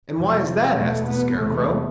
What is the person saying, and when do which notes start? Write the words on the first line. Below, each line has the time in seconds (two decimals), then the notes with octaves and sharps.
"And why is that?" asked the Scarecrow.
0.17 F2 C3 F3
0.77 E2 B2 A3
1.08 B3
1.38 E2 C3 A3